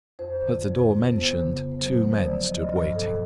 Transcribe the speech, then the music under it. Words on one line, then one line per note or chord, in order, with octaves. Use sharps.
At the door mentioned two men stood waiting.
F2 C5
D3
F2
F2
B3 C5
C#3
B3
C5
F#3
D3 C5
F3 D5
F3 D#5
D5
D#5
G2 D5
B2 A4